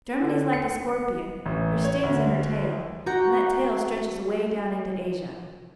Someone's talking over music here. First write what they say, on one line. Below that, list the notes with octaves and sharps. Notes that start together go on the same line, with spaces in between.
Germany's like a scorpion: her sting's in her tail, and that tail stretches way down into Asia.
D3
C#7
A1
C#5
D2
F#4 F#5 G5 A#5